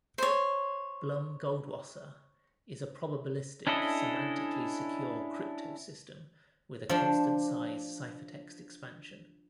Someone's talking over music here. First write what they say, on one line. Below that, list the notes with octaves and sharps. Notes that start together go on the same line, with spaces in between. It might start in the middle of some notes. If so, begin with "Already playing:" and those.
Blum-Goldwasser is a probabilistic, semantically secure cryptosystem with a constant-size ciphertext expansion.
C5 C#5
C#4 D4 E4 A4 D#5
F3 D4